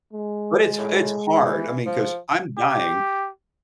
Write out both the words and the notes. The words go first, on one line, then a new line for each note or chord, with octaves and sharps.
But it's it's hard. I mean, 'cause I'm dying,
G#3
A2
E3
F3
G4